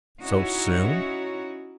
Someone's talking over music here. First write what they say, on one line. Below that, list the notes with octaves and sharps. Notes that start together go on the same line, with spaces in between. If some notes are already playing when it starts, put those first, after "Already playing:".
"So soon?"
C#4 D#4 E4 F#4 C#5